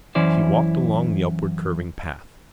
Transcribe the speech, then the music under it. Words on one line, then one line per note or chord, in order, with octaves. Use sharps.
He walked along the upwardcurving path.
F#2 E3 C#4 E4 C5 D5